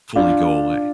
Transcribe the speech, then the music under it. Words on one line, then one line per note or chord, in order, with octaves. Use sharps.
fully go away.
D4 F4